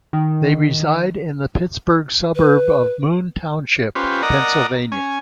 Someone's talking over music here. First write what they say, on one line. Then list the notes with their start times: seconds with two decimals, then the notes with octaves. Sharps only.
They reside in the Pittsburgh suburb of Moon Township, Pennsylvania.
0.13 D#3
2.36 B4
3.95 C#4 F4 G4 B4 C5
4.23 A#4 D5 D#5 F#5 A#5
4.92 C#4 G#5